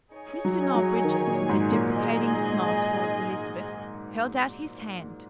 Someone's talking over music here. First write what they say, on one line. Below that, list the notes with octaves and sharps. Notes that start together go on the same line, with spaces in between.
Mr. Noel Bridges, with a deprecating smile towards Elizabeth, held out his hand.
D#4 G#4 C#5 G#5
F#3
F#3
D#3
A#2
G#2
A#2
G#4 D#5 G#5